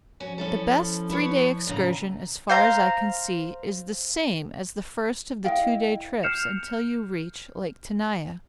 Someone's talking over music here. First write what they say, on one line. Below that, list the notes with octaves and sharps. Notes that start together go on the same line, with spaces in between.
The best three-day excursion, as far as I can see, is the same as the first of the two-day trips until you reach Lake Tenaya.
F3 C#4 F#4
C#4 E4 A4
E4 B4 C#5
A2 C#3 A#5
C5 F5 A#5
E4 D#5 F5 G5
F6 G6 C7 C#7 E7 F7